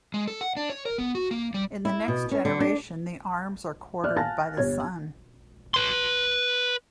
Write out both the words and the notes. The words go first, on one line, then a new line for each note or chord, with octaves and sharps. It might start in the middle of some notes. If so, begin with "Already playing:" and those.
In the next generation the arms are quartered by the son.
G#3
A4
F#5
D4
C#5
A#4
B3
F#4
A#3
G3
E4
B2
C#4
D3
D4
D5 E5 F6 F#6
F5 G#5 A5 A6 A#6
G1 G4 C#5 G#6
B4 C6